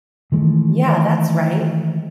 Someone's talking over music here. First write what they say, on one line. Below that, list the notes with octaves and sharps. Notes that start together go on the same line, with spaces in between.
Yeah, that's right!.
D#3 E3 G#3 A3